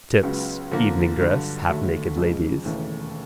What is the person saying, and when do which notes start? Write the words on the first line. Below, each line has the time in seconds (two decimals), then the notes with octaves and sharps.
Tips, evening dress, halfnaked ladies.
0.22 C#2 C#3 F#3 B3
0.71 D3 F3 A#3
1.19 G2 D3 F#3
1.68 D#2 D3 F#3 A3
2.16 F2 C#3 F3 G#3
2.65 E1 D#2 C#3 E3 A3